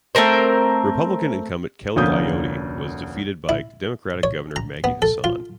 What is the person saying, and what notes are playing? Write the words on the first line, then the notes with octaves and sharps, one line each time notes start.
Republican incumbent Kelly Ayotte was defeated by Democratic Governor Maggie Hassan.
A3 C4 A#4 C5
F1 D2 A#3 C#4 D#6 G6
E4
C#5
A#5
B3
A4
F4